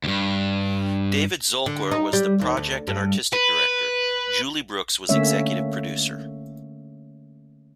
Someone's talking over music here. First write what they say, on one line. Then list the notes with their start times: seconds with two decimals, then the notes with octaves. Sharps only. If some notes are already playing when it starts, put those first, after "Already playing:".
David Zolkwer was the Project and Artistic Director, Julie Brooks was Executive Producer.
0.04 D2 G2
1.66 D3
1.91 D#4
2.13 G3
2.41 D#2
2.57 D2
2.88 G2
3.33 B4
5.09 D3 A3 A#3 C#4 C#5 E5